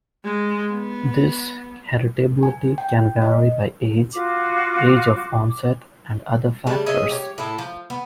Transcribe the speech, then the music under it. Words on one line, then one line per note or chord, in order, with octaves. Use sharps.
This heritability can vary by age, age of onset, and other factors.
G#3
B3
G#5
G5
D#5
F4 F#4 D6
C#3 G3 A3 D4
G#4 C#5 D#5 E5
G4 G#4 C#5
A2 E4 A4
F3
B3